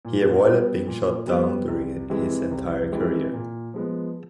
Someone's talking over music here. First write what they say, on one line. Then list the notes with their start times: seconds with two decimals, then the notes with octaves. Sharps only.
He avoided being shot down during his entire career.
0.05 A#2
0.45 G3 B3
0.87 A#2
1.27 G3 B3
1.68 C2
2.09 C3 E3 G#3
2.51 C2
2.92 C3 E3 G#3
3.33 A#2
3.74 F3 G#3 B3